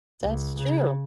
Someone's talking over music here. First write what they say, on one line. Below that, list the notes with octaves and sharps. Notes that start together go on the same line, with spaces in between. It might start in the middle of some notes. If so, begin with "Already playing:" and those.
That's true.
C#2
C#3